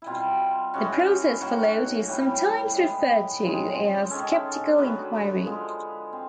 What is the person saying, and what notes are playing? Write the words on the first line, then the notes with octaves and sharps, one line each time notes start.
The process followed is sometimes referred to as skeptical inquiry.
B2 G3 C4 E4 F4
E3 G#3 C#4 F#4
D#3 F#3 A#3 F#4
A2 E3 G3 B3 G4
E3 G#3 B3 G4
C#3 F3 G#3 C4
D#3 G#3 C#4 A4
D3 F#3 B3 B4
D3 F3 G#3
C4